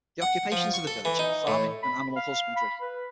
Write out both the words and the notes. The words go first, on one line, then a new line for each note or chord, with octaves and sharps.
The occupations of the village are farming and animal husbandry.
F#5
F3
C#6
A4
E3
D#4
A2
B5
F5
B5
B4